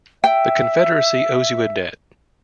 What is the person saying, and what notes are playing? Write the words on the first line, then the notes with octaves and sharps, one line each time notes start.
The Confederacy owes you a debt.
E5 G5